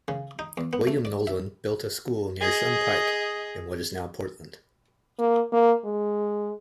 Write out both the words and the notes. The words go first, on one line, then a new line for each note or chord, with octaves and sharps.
William Nolan built a school near Shun Pike in what is now Portland.
C#3
D#4
E2
B3
A3
D5
E5
G#4 D#5
A#3
A#3
G#3